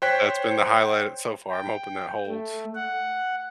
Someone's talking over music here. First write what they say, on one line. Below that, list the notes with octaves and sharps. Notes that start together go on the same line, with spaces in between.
that's been the highlight so far. I'm hoping that holds.
C5 C#5 G5 F#6 B6
G5
A3
F#5